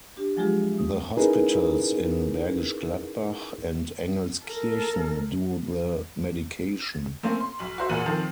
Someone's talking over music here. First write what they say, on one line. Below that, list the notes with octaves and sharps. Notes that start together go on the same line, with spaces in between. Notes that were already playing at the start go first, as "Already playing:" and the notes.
The hospitals in Bergisch Gladbach and Engelskirchen do the medication.
D4 G4
F3 F#3 G#3 F4 G4 G#4
E5
D#6
C#4 D#4 E4 G#4 A#4 B4
A4 A#4
A3 A#3 C4 C#4
C6
B1 F#7
F#4 C5 E5
E2 A#2 A#4 F#5 D#7 F#7
D#3 F3 C4 A4